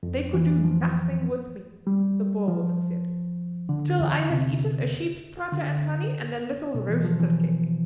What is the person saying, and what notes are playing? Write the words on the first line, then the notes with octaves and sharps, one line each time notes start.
They could do nothing with me," the Boer-woman said, "till I had eaten a sheep's trotter, and honey, and a little roaster-cake.
F2
E3
F3
G3
F3
D3
E2
C3
D3
B2
E3
F3
E3